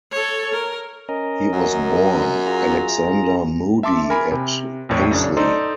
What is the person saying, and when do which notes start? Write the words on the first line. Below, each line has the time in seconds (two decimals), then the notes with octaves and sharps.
He was born Alexander Moody at Paisley.
0.11 A4 C#5
0.54 A#4
1.09 C#4 A#4 D#5
1.52 F#2
2.46 F4 G#4 A#5
3.83 E5 A5 C6 D6
4.10 A#4 G#5 B5
4.31 C3
4.89 A#1 F2 A2 C#5
5.11 F#2 C#3 D4
5.37 D#4 A4 C5 D5 A#5 C6